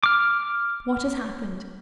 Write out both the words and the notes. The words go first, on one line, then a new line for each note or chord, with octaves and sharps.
What has happened?
D6 F6